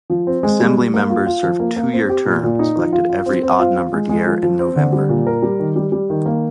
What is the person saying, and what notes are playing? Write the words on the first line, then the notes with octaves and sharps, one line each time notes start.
Assembly members serve two-year terms, elected every odd-numbered year in November.
F3
C4
G#3
G3
G3
A#3
F4
F4
F3
A#3
A#3
C4
G4
A#2
A#2
D#4
F3
F4
F4
C4
C4
F4
F4
G#3
G#3
F3
F3
C4
D3
G3
A#2
A#4
G3
D#3
G3
G3
D#3
A#3